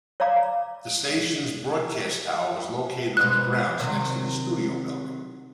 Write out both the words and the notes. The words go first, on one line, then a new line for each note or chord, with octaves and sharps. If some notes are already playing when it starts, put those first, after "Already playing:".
The stations' broadcast tower was located on the grounds next to the studio building.
C#5 D5 F5 A#5 D6
G#2 B2 E3 F#6
C3 D#3 F#3